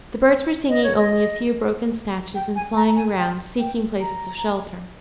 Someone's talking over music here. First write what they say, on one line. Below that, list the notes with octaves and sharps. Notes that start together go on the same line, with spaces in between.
The birds were singing only a few broken snatches, and flying around, seeking places of shelter.
D#5
C#5
D#5
G5
G#5
A#5
G#5
G5
G5
A#5